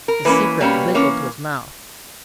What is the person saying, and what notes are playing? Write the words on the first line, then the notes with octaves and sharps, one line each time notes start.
The secret wriggled to his mouth.
A#4
E3 A#3 C#4 B4
B2 G3 A#3 C#4
E3 A#3 C#4 C#5